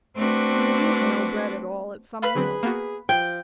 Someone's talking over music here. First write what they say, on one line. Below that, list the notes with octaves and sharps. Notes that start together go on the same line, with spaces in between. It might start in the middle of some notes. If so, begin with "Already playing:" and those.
And you need no bread at all at some meals.
A3 C4 D4 F#4 B4
B4 F5 B5 F#6
D3 F#3 C4 G#4
A#3 B3 F#4
F3 G5 G#6